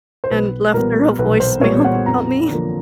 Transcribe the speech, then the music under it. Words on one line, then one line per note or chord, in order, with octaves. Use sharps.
and left her a voicemail about me.
C5
B1 B4
A#2 G3 B3 A#4
B1 B4
C5
A#2 G3 B3 C#5
F#5
F2 A#5
D3 F3 A#3